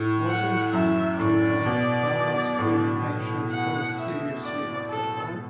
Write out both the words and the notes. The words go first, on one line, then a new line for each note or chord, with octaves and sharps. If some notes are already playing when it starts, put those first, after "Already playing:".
Wasn’t he to take Clara’s fulminations so seriously, after all?
Already playing: A2
F#5
F#2 E5
A2 D5
B2
A2
F#5
E5
D5
A4